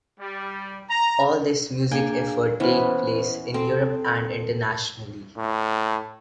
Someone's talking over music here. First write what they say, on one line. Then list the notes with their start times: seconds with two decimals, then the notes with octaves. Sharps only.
All this music effort take place in Europe and internationally.
0.20 G3
0.90 A#5
1.91 A#3 D4 G#4 G5 G#5
2.60 E3 B3 C#4 B4 C5
3.54 C4 A4
5.37 A2